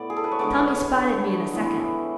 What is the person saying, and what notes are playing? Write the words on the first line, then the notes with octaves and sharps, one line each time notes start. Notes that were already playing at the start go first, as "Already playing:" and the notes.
'Tommy spotted me in a second.
Already playing: A2 B3 D5
G#4
A4
B4
C#5
D3 G#3 B3 D5
C#5
C#5
D5
A2 E3 B3